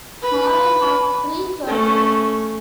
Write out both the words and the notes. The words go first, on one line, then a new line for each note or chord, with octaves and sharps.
Gorai has three churches.
B4 B5
A3 C#4